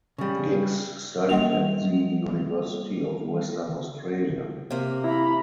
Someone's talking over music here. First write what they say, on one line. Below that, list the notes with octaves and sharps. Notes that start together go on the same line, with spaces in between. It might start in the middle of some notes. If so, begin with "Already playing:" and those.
Giggs studied at the University of Western Australia.
C#3 G3
G3 A#3 F7
C3 A#3
E4 A#5 B5